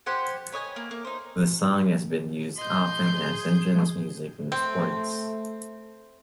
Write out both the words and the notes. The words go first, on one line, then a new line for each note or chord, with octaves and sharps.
The song has been used often as entrance music in sports.
G4 C5 F#5 G#5
B4 C#5 D#5 G#5
A#3
A#3
D#4 C5
D#5 C6 G6
G#4
A3 C4